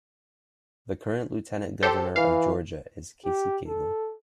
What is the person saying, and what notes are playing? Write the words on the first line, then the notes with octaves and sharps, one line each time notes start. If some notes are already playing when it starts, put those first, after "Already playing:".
The current Lieutenant Governor of Georgia is Casey Cagle.
G4 A4 C5
E3 F5
G4
A4